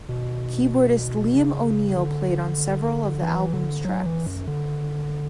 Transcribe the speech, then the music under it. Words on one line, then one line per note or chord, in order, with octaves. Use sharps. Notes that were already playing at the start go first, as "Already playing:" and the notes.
Keyboardist Liam O'Neil played on several of the album's tracks.
B2
C#3
D3
E3
D3
F#3
E3
F#2
D3